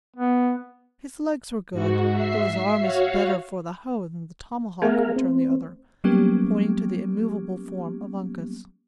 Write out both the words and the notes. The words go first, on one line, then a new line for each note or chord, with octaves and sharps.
"His legs were good, though his arm is better for the hoe than the tomahawk," returned the other, pointing to the immovable form of Uncas.
B3
G#2 F#4
E5 C7
F#4 C#5 F5
A3 B3 G#4 A#4 E5 F5
C4
F#3 G3 A#3 B3 C#4 G4